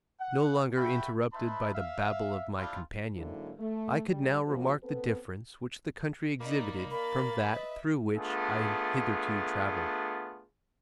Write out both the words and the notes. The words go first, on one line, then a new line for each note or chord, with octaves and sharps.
No longer interrupted by the babble of my companion, I could now remark the difference which the country exhibited from that through which I had hitherto travelled.
F#5
A3 F#4 E5 G5 B5
D#4 B4 E5 A5 B5 C6
E5 F5
G3 C4 D4 E4 F4
G#2 D3 F#3 A#3 E4
A3
G3
F2 F3 A#3 C4 F#4
B3 C4 A4 B4
A#3 D#4 D5 B5
A#4 D5 F5 B5 A6
B4 D#5 E5
A3 B3 D4 F4 G#4